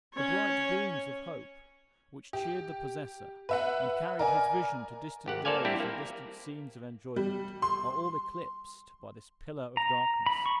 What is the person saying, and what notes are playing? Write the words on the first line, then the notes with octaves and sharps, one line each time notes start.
The bright beams of hope, which cheered the possessor, and carried his vision to distant days and distant scenes of enjoyment, are all eclipsed by this pillar of darkness.
C#4 C#5
G4
B4 E5 F#5
A#4 D5 G#5
G#1 G4 F#5
A#3 A4 C5 D5 F5 G#5
G3 C4 D4 E4 G4
A#3
G3
C6
A#5
B5
C#6